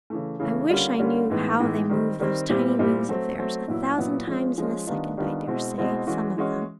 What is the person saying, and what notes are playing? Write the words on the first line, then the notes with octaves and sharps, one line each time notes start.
I wish I knew how they move those tiny wings of theirs--a thousand times in a second, I dare say, some of them.
C#3 E3 A3
C#3 E3 A3
D3 G3 A#3 C#4 F4
D3 G3 A#3 C#4 F4
A2 E3 G#3 B3 D#4
A2 E3 G#3 B3 D#4
D#3 G3 C4
D#3 G3 C4
A#2 G3 C4 E4 G4
A#2 G3 C4 E4 G4
F#3 A3 C4
F#3 A3 C4
A#2 F#3 B3 E4
A#2 F#3 B3 E4
F3 G#3 C#4
F3 G#3 C#4
D#3 G3 B3 D4 F4
D#3 G3 B3 D4 F4
B2 G#3 C4 E4
B2 G#3 C4 E4
E3 G#3 C#4 F#4
E3 G#3 C#4 F#4